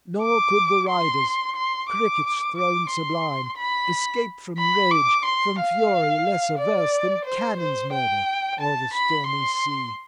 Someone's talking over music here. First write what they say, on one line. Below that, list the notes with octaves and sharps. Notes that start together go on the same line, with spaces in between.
Nor could the riders, crickets throned sublime, escape from rage, from fury less averse than cannons murder o'er the stormy sea.
D6
C6
C6
D6
D6
C6
B5
B5
D6
C6
F5
D5
C5
C5
G5
A5
B5
C6